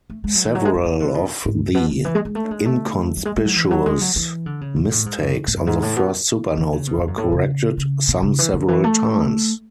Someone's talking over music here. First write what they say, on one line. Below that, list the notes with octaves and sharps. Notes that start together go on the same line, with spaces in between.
Several of the inconspicuous "mistakes" on the first supernotes were corrected, some several times.
A3
G#3
F#3
E3
F#3
G#3
F#3
E3
D3
B2
G#2
B2
D3
E3
G#3
G#3
A3
G#3
A3
F#3
G#3
G#3
F#3
E3
F#3
G#3
F#3
E3
D3
C#3
B2
A2
G#2
F#2
A2
F#2
G#2
A2
B2
D3
C#3
B2
A2
F#2
A2
C#3
C#3
B2
C#3
E3
D3
E3
A3